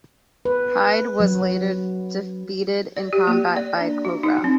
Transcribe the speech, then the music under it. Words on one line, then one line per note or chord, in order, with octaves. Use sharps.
Hyde was later defeated in combat by the Cobra.
B4
F#3
D5
G4
A#3
D5
D4
F#4
D#4
C4